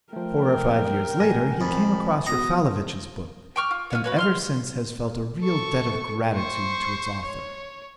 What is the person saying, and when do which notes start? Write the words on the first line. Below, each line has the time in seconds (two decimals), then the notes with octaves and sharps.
Four or five years, later he came across Raffalovich's book, and ever since has felt a real debt of gratitude to its author.
0.13 F3 A3 A#4 G5
1.20 A1 G#5 A#6
1.61 F2 B5
2.26 B3 F#4 A#5 D#6
3.56 G5 C#6 F6
3.71 F4
3.90 F4 B4 C#5
4.04 F#4 B4 C#5
4.16 F5 C6 F6
5.41 A4 C#6
6.35 C5 C#6
7.26 C#5